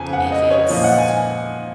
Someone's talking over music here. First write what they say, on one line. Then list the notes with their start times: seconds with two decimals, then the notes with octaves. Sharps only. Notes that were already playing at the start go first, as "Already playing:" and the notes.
if it's
Already playing: F2 C#3 F3 G#5
0.13 F#5
0.32 D#5
0.51 C#5
0.70 A#2 F3 D#5
0.84 F#5
0.98 G#5